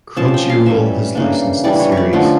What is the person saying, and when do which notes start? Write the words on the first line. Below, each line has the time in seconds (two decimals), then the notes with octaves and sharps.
Crunchyroll has licensed the series.
0.16 F3 C#4 A5
0.34 G5
0.50 F5
0.66 E3 G3 C#4 E5
1.15 C#3 E3 A#3 D4
1.64 E3 G3 D4 D5
1.80 C#5
1.92 C#5
1.97 D5
2.13 D3 F3 A3 C#4